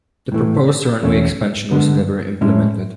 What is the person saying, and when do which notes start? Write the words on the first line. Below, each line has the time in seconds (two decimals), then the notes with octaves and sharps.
The proposed runway expansion was never implemented.
0.32 A2 E3 A3
1.03 E2 B2 A3 C#4
1.71 D3 G#3 B3
2.41 A2 G#3 C#4 E4